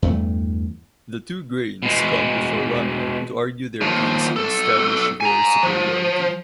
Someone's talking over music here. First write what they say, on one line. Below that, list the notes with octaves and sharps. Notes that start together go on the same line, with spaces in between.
The two grains come before Rama to argue their case and establish their superiority.
E2 G2 A3
B2 G#3
D#2 F3
B1 A4
G#5 A#5
F3